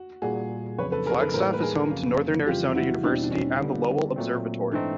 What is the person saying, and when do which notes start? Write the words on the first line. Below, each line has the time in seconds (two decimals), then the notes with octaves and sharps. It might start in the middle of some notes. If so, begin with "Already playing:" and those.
Flagstaff is home to Northern Arizona University and the Lowell Observatory.
Already playing: F#4
0.22 A#2 G3 A#3 F#4 G#4
0.78 F2 C#3 F#3 B4 C#5
0.92 A4 B4
1.06 G#4 A#4
1.20 A4 B4
1.34 A2 E3 G3 A#3 A#4 C5
1.53 B4
1.62 G#4 A#4
1.91 F2 C#3 F#3 A#3 C#4
2.46 F2 C#3 E3 G3 F4 G4
2.75 E4 F#4
3.03 E2 B2 G3 C4 D4 E4
3.23 D4
3.31 C#4 D#4
3.60 D3 G3 B3
4.16 A#2 F#3 A3 C4
4.72 G#2 E3 A3 C4 D4 D#4